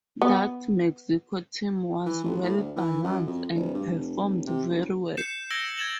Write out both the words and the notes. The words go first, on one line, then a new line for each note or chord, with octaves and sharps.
That Mexico team was well balanced, and performed very well.
B3
E3
A1
A2
D2
E3
F#2
F2
D1
G2
F1
C3
F#1
G6 C7 C#7 E7
E6 G#6 A#6 D7 G7
G#6 A6 E7 F#7